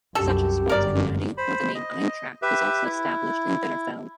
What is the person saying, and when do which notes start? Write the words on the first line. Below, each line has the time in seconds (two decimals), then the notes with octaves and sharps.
Such a sports community with the name "Eintracht" was also established in Bitterfeld.
0.15 C2 F#2 G4 A4
0.69 G1 F#2 A#4 D5
1.37 C5 B5
1.75 D#5
2.42 G4 B4 E5
2.84 E4